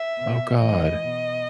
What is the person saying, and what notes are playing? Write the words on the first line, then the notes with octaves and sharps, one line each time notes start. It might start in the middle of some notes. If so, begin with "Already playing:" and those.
Oh god.
Already playing: E5
B2
A2 E3 D#5
B2